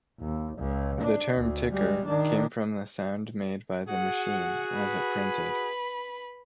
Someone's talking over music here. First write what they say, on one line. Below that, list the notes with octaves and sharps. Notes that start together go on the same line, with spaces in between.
The term "ticker" came from the sound made by the machine as it printed.
D#2
C#2
D4
D2
G3 G#3
D#3 D4
F#4 G#4 F#5
B4 B5